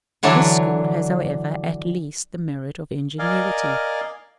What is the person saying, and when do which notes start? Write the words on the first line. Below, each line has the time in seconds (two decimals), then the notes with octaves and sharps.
This school has, however, at least the merit of ingenuity.
0.23 D3 E3 F#3 D4
3.19 A#4 D5 D#5 F5 G#5